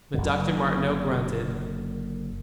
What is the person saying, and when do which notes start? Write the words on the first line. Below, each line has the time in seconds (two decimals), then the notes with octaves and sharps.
But Dr. Martineau grunted.
0.14 F#1 F#2 D3